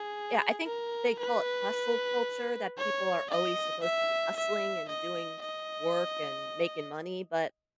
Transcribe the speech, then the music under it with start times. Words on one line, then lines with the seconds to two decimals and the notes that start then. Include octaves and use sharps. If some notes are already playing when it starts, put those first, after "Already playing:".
yeah, I think they call it "hustle culture" that people are always supposed to be hustling, and doing work, and making money, but
Already playing: G#4
0.66 A#4
1.19 B4
2.78 C#5
3.30 D#5
3.83 E5
4.36 E5
4.89 D#5
5.42 D#5